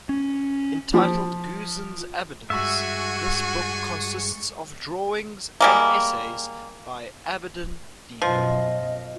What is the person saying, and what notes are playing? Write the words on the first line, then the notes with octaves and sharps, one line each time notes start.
Entitled "Guzin's Abidins", this book consists of drawings and essays by Abidin Dino.
C#4
F3
G2 G#3 D4 F#4 E5 G#5 C#6
G3 G#3 A#3
F#2 B2 F3 F4 D#5